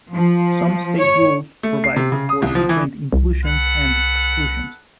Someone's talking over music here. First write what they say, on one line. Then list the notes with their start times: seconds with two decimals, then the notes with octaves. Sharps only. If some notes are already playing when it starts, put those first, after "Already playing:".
Some state rules provide for different inclusions and exclusions.
0.12 F3
0.97 C#5
1.63 A3
1.84 C7
1.96 C3
2.12 C#3
2.29 D#6
2.42 C2
2.55 F3
2.69 E3
3.12 C2
3.45 A4 B4 F#5